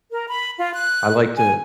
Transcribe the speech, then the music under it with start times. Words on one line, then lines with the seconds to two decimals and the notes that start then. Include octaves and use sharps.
I like to
0.11 A#4
0.27 B5
0.59 F4
0.74 F#6
1.36 G#5